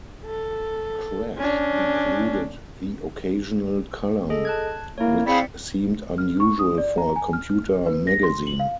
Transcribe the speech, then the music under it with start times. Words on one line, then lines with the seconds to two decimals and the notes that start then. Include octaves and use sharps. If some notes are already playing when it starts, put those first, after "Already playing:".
"Crash" included the occasional column which seemed unusual for a computer magazine.
0.25 A4
1.37 C#4 D4
4.30 G#4 A4 D#5
4.45 A5 F#6 G#6
4.98 A#3 E4 C#5
5.26 C4 G#4 D5 F5 B5 B6 C#7
6.18 F6
6.40 C#6
6.59 D#6
6.78 D5
6.98 A#5
7.16 G#5
7.33 F6
7.86 B4
8.07 A#6
8.23 C6
8.47 F#7
8.60 F5